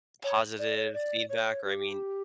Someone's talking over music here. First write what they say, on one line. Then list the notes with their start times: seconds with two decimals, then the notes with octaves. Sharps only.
positive feedback or, I mean
0.24 C#5
0.59 D5
0.77 C#5
0.94 D5
1.29 C#5
1.65 G4